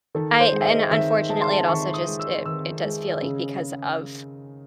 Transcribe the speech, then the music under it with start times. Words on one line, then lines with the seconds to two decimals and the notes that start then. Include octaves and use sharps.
I and unfortunately, it also just it it does feel like because of
0.15 D#3 A4
0.40 C5
0.52 G#3
0.61 E5
0.65 D#5
0.91 D#3 E5
1.29 G#3 A5
1.42 C6
1.52 A5
1.68 D#3 C#6
1.94 D#6
2.07 G#3
2.19 E6
2.46 D#3 E6
2.83 G#3
3.22 C#3